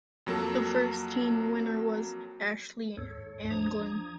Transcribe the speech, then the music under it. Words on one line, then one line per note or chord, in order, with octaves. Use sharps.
The first teen winner was Ashley Anglin.
F2 F#3 A#3 A4
D#2 G#2 A4 C#5
F3 D4 A#5 D#6 G#6